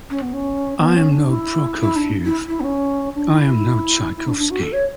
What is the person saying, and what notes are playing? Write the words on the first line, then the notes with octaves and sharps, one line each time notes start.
I am no Prokofiev, I am no Tchaikovsky.
C#4
B3
C#4
B3
C#4
D4
E4
E4
D4
E4
E4
B3
C#4
D4
E4
E4
D4
D4
F#4
A4
C#5